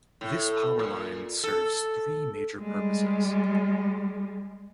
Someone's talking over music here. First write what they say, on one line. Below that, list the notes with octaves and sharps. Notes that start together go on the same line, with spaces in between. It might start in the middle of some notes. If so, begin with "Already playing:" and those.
This power line serves three major purposes.
A2
A#2
A4
G3 G#3